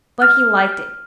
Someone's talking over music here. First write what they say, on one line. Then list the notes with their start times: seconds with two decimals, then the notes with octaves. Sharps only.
But he liked it.
0.22 F6